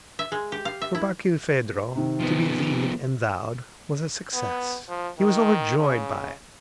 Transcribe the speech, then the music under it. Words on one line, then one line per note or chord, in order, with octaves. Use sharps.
For Barkilphedro to be "thee'd" and "thou'd" was a success; he was overjoyed by it.
E5
G#3
G4
F5
E5
E4
C3 D#3
F3 B3
B3
F3
D#3
C#3